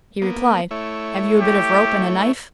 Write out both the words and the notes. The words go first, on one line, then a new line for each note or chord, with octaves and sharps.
He replied, "Have you a bit of rope and a knife?"
A#3 B3
A3 E4 C#5
G4